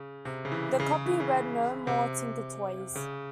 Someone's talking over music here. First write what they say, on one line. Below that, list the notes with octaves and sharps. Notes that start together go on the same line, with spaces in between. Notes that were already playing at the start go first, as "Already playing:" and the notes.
The copy read No More Tinker Toys.
Already playing: C#3
C3
C#3
E3
C#3
C#3
E3
C#3
C3
C#3